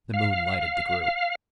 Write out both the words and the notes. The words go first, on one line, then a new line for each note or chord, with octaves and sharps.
The moon lighted the group.
F5